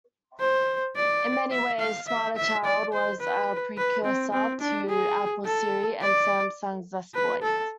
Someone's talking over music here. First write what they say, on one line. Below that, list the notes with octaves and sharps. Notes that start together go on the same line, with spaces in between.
In many ways, SmarterChild was a precursor to Apple's Siri and Samsung's S Voice.
C5
D5
E5
F5
E5
E5
D5
C5
B4
B4
C4
C4
D4
G#4
A4
D5
B4
A4